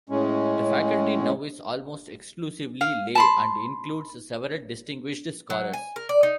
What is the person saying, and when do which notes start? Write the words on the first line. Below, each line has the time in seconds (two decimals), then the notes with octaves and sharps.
The faculty now is almost exclusively lay and includes several distinguished scholars.
0.09 A2 G#3 C#4
2.81 F5
3.15 A5 B5 C6
5.50 F#3
5.73 G#5
5.96 A#4
6.09 D5
6.23 D#4